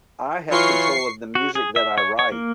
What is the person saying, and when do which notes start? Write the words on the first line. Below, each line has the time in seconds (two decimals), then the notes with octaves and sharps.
I have control of the music that I write,
0.51 E3 F#3 F4 C#6 C7
1.35 F#4
1.55 G#4
1.76 E5
1.98 C#5
2.19 C#5
2.32 A#3